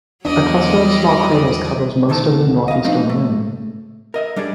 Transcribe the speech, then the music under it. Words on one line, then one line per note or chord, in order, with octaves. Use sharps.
A cluster of small craters covers most of the northeastern rim.
E2 F#3 G3 D4 D5 D#5
B2 D#3 E3 A3 A5
D#5 F5
F3 A3 C4 D4 D#4
A3
A#4 D#5 E5
G3 D4 G#4 D5